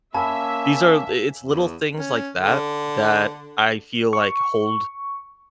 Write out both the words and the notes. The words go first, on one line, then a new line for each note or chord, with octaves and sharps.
these are i it's little things like that, that I feel like hold
A#3 C#4 E5 F5 G#5 A5 B5
E2
C#4
D3
C#6